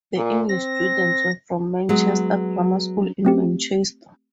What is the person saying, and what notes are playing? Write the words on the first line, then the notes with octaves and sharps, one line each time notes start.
The English students were from Manchester Grammar School in Manchester.
A#2
C4 A#6
F#3 G#3 B3
A3 C4 G4